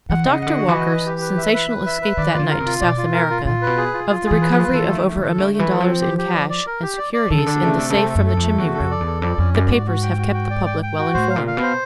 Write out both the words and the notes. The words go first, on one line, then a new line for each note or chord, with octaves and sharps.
Of Doctor Walker's sensational escape that night to South America, of the recovery of over a million dollars in cash and securities in the safe from the chimney room--the papers have kept the public well informed.
E3 F#5
C#3 D#5
D3 F#5
F#4
E3
D#5
B4
G4
B4
E5
B4
B4
E5
B4
D#3 D5
F4
D3
A#4
C3
F4
B2 D5
F4
A#4
F4
A#2 F4
B4
B2
G#4
F4
F4
E3 G#4
B4
F3
F4
F3
E3 A4
A3
D#3
A3
D#3
A4
D3 A3
A3
E3
A4
F3
C4
G4
G4
D5
D5
A#4
G4
D5
D5
D#3 A4
C#3
D3 D4
C#3 A3
C3 A4
C#3
C3 A3
A4
F#2
A4
F2
A3
E2 F#4
A4
F2
D5
E2
A4
F2 D5
F2 C#4
F#2 D5
G#2 F#4
F#4
G5
F#4
G5
D5
G5
G5
F#4
A2 C5
F5
A#2
F5
B2
C5